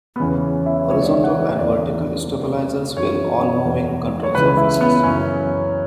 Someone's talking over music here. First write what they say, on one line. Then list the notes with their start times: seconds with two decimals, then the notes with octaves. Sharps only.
Horizontal and vertical stabilizers were "all-moving" control surfaces.
0.16 B3
0.20 E2 C#3 E3 C#4
0.66 E4
0.88 C#2 C#3 E3 C#5
1.01 D5
1.06 E5
1.24 F#5
1.58 E2 C#3 E3 D5
2.27 D2 D3
2.96 F#2 E3 C#5
3.65 E2 D3
4.23 C#5
4.34 C#2 C#3 E3 B4
4.57 E4
4.81 B3
5.03 F#2 C#3 E3 C#4